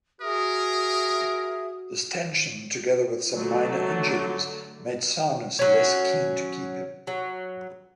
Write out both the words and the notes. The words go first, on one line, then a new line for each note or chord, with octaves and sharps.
This tension together with some minor injuries made Souness less keen to keep him.
F#4 G#4 A#4 E5 D#6
D3 F#3 A3
F#3 C#4
F#3